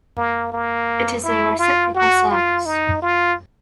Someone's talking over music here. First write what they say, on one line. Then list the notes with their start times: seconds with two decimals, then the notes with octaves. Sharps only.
It is a reciprocal service.
0.17 A#3
0.52 A#3
1.24 E4
1.59 F4
1.95 F#4
2.31 F4
2.66 D#4
3.02 F4